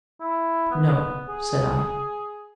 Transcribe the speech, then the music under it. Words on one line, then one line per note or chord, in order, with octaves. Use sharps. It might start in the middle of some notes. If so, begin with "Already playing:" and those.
"No," said I.
E4
B3
G#4